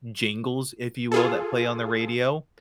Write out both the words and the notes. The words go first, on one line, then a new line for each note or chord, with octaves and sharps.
jingles, if you will, that play on the radio,
F4 G#4 A4